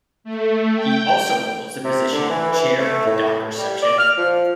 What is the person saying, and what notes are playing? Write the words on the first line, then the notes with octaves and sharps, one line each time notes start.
He also holds the position of chair of the Dockers Section.
A3
G5
C3
D3
E3
E3
A3
A2
G3
D5
F6
F3